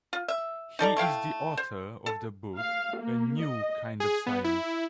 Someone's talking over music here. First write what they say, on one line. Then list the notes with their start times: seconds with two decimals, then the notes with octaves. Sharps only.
He is the author of the book A New Kind of Science.
0.13 F4
0.28 E5
0.79 D#4 A4 D5 A#5
0.97 A3 E4 F5 G5
1.57 C5
2.06 A4
2.57 F5
2.98 A#3
3.41 D#5
4.00 G#4
4.26 B3
4.44 E4